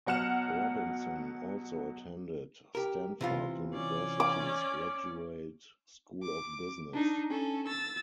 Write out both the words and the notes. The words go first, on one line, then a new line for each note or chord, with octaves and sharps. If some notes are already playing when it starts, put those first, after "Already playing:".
Robinson also attended Stanford University's Graduate School of Business.
B2 F#3 F#5 F6 E7
G4 A#4
C3 E3 F4
C#4 D5
D6
D6
D4 D#4
C#4 A4
E6 A6